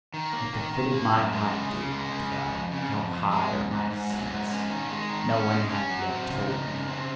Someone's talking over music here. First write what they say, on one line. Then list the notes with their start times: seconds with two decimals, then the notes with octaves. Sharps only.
At the foot of my height do I dwell: how high are my summits, no one hath yet told me.
0.14 D#3
0.33 A#3
0.53 D#3
0.73 D#3
0.93 A#3
1.13 F#2
1.32 G#3
1.52 C#3
1.72 C#3
1.92 G#3
2.12 C#3
2.32 G#3
2.51 F2
2.72 C#3
2.91 F2
3.11 F2
3.31 G#3
3.51 G#2
3.71 G#2
3.91 G#2
4.10 F#3
4.30 G#2
4.50 C#4
4.70 D#3
4.90 G#3
5.10 D#3
5.29 C#4
5.49 G#3
5.69 C#4
5.89 F#3
6.09 C4
6.29 C#3
6.49 D#4
6.69 C#3
6.88 C4